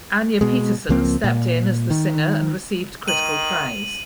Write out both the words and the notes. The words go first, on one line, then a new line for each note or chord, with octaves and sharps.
Anja Petersen stepped in as the singer and received critical praise.
B2 G#3
C#2 F3 A#3 C4
A#2
D#3
D#3 D#7 F#7